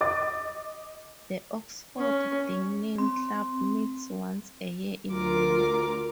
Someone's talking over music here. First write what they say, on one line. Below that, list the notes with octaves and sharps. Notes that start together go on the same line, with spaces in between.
The Oxford Dining Club meets once a year, in May.
D#5 D6 A6
C#4
C4
D2 F4 A#4 D6